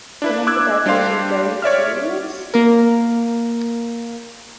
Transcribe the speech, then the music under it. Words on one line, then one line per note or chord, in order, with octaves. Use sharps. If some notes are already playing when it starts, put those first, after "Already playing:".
Some of the diapers are very curious.
D4 E4 B4
D6 E6 F#6 G#6
G3 D4 G4 C5 F5 C6
C#5 D5 E5 F6
A#3 A#4